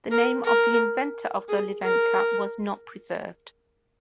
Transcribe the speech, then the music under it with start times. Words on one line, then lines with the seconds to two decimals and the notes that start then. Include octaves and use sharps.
The name of the inventor of the livenka was not preserved.
0.11 A#4
0.44 A#4
1.48 G#4
1.83 A#4